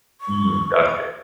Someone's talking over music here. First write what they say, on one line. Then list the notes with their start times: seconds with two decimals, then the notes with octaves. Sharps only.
Mm, got you.
0.21 C#6